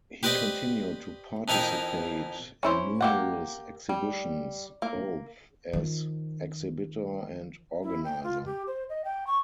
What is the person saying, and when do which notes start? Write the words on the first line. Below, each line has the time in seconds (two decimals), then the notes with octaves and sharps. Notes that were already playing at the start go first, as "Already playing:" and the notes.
He continued to participate in numerous exhibitions, both as exhibitor and organizer.
0.23 G4 B4 C5 D5 D#5 G5
1.48 F2 E3 D#4 A#4 G5
2.63 C#4 E4 C5
3.01 A#3 G4 F#5
3.89 G3
4.82 A#3
5.73 D#3 F3
7.83 E4
8.04 G5
8.23 F4
8.46 G4
8.67 C5
8.89 D#5
9.05 G5
9.27 C#6